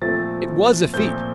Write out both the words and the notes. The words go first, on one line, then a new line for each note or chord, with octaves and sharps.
It was a feat.
A#2 F3 A3 C4 A6
A#2 F3 A3 C4 G6